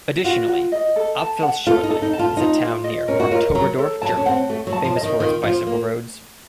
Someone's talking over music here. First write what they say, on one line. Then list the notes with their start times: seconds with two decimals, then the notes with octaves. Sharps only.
Additionally, Apfelschorle is a town near Marktoberdorf, Germany famous for its bicycle roads.
0.24 F4 F#4
0.48 F#4
0.72 D#5
0.96 A4
1.19 A5
1.43 F#5
1.67 F4 A4
1.83 D#4
1.90 A4
2.02 D#4
2.13 A5
2.19 F4
2.37 D#4 F4
2.61 F4
2.84 D#5
3.08 C#4 A#4
3.20 F#4
3.31 F4 A#4
3.55 F#3 A#5
3.79 A4
4.02 F#3 A5
4.17 C#4
4.25 C4 F#5
4.49 A3 F#4
4.67 F#3
4.73 A5
4.84 F3
4.96 D#5
5.03 D#3
5.20 D#3 F4
5.44 F3 F4
5.67 A#3